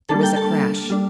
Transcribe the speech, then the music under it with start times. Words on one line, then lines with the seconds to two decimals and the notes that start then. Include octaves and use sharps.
There was a crash!
0.09 G3 A#3 D4 A4 A5
0.23 G5
0.36 A4 A5
0.90 G3 D4